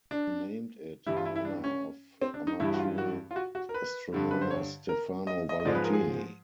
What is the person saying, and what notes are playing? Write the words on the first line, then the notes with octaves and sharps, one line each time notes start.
He named it in honour of amateur astronomer Stefano Valentini.
D4
G2 E3 G3 E4
F4
E4
E4
D4
C#4
C4
D4
D#4
G2 E3 G3 E4
F#4
F4
F#4
F4
F#4
F#4
A#4
B4
G2 D3 G3
B4
C5
C#5
A#4
D#5
D#5
D#5
G#2 F3 G#3 D5
B4
A#4
G#4